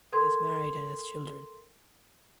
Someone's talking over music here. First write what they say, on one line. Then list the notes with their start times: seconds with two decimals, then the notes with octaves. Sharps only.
He is married and has children.
0.12 A4 A#4 C6 G#6